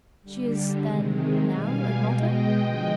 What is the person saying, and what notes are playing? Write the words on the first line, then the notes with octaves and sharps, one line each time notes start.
"She is, then, now at Malta?"
D3 G3
C3 D#3 G#3
B2 G3 F5 G#5
B2 G#3 D#5 G5
D3 F3 G#3